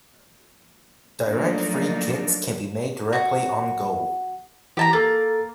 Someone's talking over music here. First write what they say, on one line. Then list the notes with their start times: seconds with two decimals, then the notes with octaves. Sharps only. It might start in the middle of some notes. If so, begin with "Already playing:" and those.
Direct free kicks can be made directly on goal.
1.23 F3 F#3 A3 A#3 D4 D#4
3.13 F#4
4.77 E3 G4 A5 A#5
4.93 A#3 A4 A6